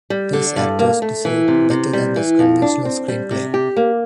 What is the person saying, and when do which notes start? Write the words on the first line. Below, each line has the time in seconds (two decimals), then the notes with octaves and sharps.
These actors deserved better than this conventional screenplay.
0.10 G3
0.33 D3
0.56 G2
0.79 A#3
1.02 A3
1.25 E3
1.48 C3
1.70 C3
1.93 G3
2.16 E3
2.39 F2
2.62 D4
2.85 C4
3.08 G3
3.31 C3
3.54 G4
3.77 A#3